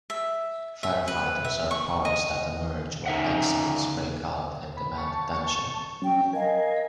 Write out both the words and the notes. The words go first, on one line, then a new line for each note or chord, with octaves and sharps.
Firefighters are parts that emerge when exiles break out and demand attention.
E5
E5
B4
E5
C#6
D#5
C#3 D#4 E5 F#5
B5
A5 C#6
F#3 C#4 G5
A#4 D#5 F5 G#5